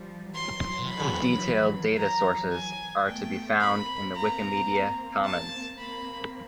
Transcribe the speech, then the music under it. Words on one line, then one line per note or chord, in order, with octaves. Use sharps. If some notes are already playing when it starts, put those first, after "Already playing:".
Detailed data sources are to be found in the Wikimedia Commons.
Already playing: F3 G3
E3 F#3 C6
B5
A#5
G#5
A3 B3 G5
A#3 C4 B5
A#5
A5
A#3 C4 B5